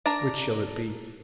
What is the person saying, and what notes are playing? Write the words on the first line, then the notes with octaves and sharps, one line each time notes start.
Which shall it be?
D4 A#4 A5 A#5